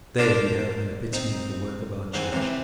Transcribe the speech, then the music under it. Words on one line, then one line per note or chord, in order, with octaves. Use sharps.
There you have an epitome of the work of our Church.
D4 A#4 C5 A5 C6 D6
C4 D#4
G#2 E3 C4
C3 E3